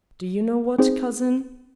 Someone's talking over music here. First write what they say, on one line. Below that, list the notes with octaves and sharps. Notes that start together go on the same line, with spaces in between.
Do you know what, cousin?
C4 D#4 G#4 C5